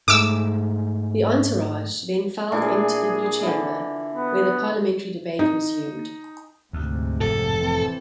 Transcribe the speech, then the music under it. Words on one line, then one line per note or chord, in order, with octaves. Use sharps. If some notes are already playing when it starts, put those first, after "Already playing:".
The entourage then filed into the new Chamber, where the parliamentary debate resumed.
G#2 A3 D6 E6
A#2 E3 D4 G#4
D3 E3
B3
D#4
D2 G#2 C3
F1 A2 A4
E3 C4